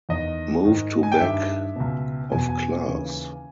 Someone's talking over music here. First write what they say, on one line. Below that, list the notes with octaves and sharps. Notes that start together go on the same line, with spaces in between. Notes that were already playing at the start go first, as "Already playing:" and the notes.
Moved to back of class.
E2 D#3 D#5
G#2 D#3
G#5
G5
G2 D#3 E5
C#2 B2
E2 B2 G#5
G#5
D#2 C#3 E3